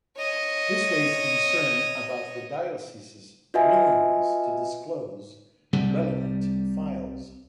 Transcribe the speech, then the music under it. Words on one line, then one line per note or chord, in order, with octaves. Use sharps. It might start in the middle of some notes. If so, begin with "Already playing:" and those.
This raised concern about the diocese's willingness to disclose relevant files.
C#5 D#5
F4 F#4 B4 D#5 E5 G#5
C2 C3 G3